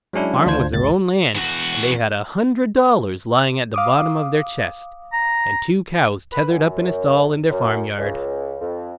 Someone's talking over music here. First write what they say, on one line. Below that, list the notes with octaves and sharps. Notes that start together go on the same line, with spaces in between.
The farm was their own land, and they had a hundred dollars lying at the bottom of their chest, and two cows tethered up in a stall in their farm-yard.
F#3 G#3 C#4 D4 E4
D2 D4 F4 C5 G#6
G1 C#2 A6
E2 F#4
F5 D6 D#6
A#5
B4
F#2
F#2
C#2
F2